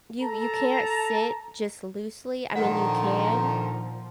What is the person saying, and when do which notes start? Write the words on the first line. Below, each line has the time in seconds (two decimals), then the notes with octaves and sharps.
you you can't sit just loosely, I mean, you can,
0.22 A4 A5 A#5
2.56 A#2 D3 D#3 F3 F#5 A#5